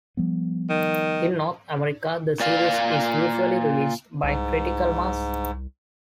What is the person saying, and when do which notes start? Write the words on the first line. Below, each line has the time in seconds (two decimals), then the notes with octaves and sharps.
In North America, the series is usually released by Critical Mass.
0.17 F3 G3 B3
0.70 D#3
2.40 A#2 D5 F5
4.23 C2 G#2